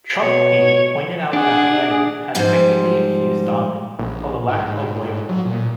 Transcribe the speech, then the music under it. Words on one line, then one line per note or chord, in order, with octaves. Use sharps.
Trotsky pointed out that Lenin had effectively accused Stalin of a lack of loyalty.
B2 C#5
D4 G#4 F#5
G#2 F3 G3
A#1
G#2
F#3
A#2